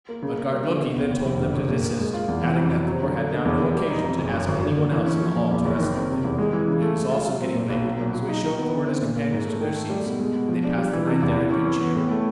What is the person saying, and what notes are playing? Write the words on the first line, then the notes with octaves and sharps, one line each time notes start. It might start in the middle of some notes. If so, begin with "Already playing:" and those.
Utgard-Loki then told them to desist, adding that Thor had now no occasion to ask any one else in the hall to wrestle with him, and it was also getting late; so he showed Thor and his companions to their seats, and they passed the night there in good cheer.
A#3
C#3
A#3
G3
D3
B2
C#2
D#2
F1
D3
F#2
A#2
A#3
G#3
F4
E2
E3
F2
F#3
F#3
D3
D3
A#3
E2
E1
G3
D#4
F2
F#1
F#2
G#1
D3
A#3
E3
C#4
F3
A#2
E2
F#1
D#3
C4
C3
E2
G#3
E3
C#3
A3
G#3
F4
F#3
C4
A#2
B1
F#3
A#2
F#3
D#4
D#3
B3
D3
C4
A#2
A#3
G#2
A3
D#3
A3
G3
B2
G#3
B2
F3
D4
G3
E3
C3
E2
E3
C#4
E3
B3
A2
A3